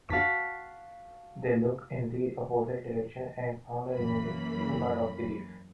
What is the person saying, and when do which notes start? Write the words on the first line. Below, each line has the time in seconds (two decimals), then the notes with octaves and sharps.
They looked in the opposite direction and found a remunerating part of the reef.
0.10 F#4 F5 A5 B6
3.94 F#2 E3 A#3 B5